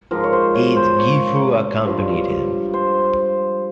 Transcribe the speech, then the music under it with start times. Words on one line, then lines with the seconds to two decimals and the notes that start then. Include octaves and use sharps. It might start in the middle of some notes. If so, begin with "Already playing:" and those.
Eadgifu accompanied him.
0.11 G#2 F3 A#4
0.24 C#5
0.33 C5
0.55 C#5
0.76 C5
0.98 C#5
1.85 G2 F3
2.74 C5